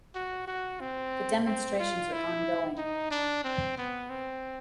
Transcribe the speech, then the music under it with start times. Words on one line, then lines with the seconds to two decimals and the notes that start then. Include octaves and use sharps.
The demonstrations are ongoing.
0.15 F#4
0.47 F#4
0.81 C4
1.46 C4
1.80 F4
2.13 E4
2.78 D#4
3.11 D4
3.44 C4
3.78 B3
4.10 C4